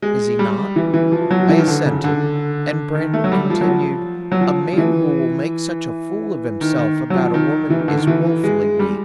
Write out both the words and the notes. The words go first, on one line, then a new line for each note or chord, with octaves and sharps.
Is he not?" I assented; and Brandon continued: "A man who will make such a fool of himself about a woman is woefully weak.
G#3
G3
E3
E3
F3
F#3
F3
E3
D#3
D3
C#3
D3
D#3
A3
F#3
G3
F3
F#3
F3
F#3
F3
F3
E3
D#3
D#3
F#3
F3
D#3
E3
D#3
D3
D#3
E3
G#3
G3